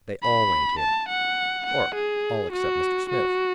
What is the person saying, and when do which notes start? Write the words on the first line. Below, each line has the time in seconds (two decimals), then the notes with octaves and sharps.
They all went in--or all except Mr. Smith.
0.23 B5
0.79 A5
1.09 F#5
1.66 F#5
1.95 G#4
2.53 F#4
3.10 F#4